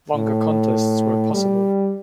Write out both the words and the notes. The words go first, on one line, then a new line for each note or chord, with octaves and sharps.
Longer contests were possible.
A2
G3